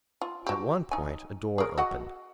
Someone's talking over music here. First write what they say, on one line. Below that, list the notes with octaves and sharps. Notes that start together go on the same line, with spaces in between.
At one point a door opened.
F4
F#4 G4
D#4 G#5
G#4 A#4
F#4 D#5 F#5